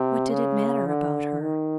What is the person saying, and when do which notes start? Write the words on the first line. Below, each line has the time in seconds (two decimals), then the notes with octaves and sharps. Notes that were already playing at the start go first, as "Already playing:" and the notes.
What did it matter about her?
Already playing: C3
0.31 C#3
0.87 D3
1.41 D#3